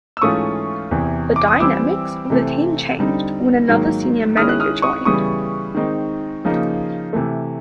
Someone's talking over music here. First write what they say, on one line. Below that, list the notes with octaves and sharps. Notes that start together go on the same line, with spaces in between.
The dynamics of the team changed when another senior manager joined.
E6
G#2 E3 A3 C#4 F4 C#6 D#6
E2 C3 E3
D6
D#6
E3 G3 C4 E4 D6 E6
C3 E3 A3 C4
D3 G3 C4 D#4
G#2 D#3 F#3 A#3
D#3 G#3 C#4 E4 D#6 F6
F#6
D#6 F6
C#6 D#6
C#3 E3 G3 B3 C#6 D#6
D#3 G#3 C4 D#4
C#3 F3 A#3 D#4
C3 E3 A3